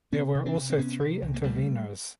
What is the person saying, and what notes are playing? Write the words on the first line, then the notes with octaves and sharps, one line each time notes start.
There were also three Intervenors.
C3 B3 C#4
C3
C4 D4
C3
C4
C3 B3 C#4
C3
C2
A#3
C#2 G3 A3